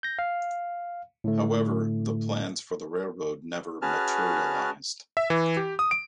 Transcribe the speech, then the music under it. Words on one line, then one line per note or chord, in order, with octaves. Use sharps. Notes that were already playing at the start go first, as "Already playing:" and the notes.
However, the plans for the railroad never materialized.
G6 A#6
F5
A2 D3 A3
C#4 F#4 G#4 B4 A5 F6
E5
E3
G4
D#6
D7